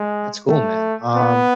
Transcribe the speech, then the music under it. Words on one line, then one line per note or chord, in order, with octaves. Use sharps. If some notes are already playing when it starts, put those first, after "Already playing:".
that's cool, man. Um
Already playing: G#3
A3
B3